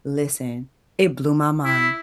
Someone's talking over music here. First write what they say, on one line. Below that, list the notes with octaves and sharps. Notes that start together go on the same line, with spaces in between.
listen. It blew my mind.
E4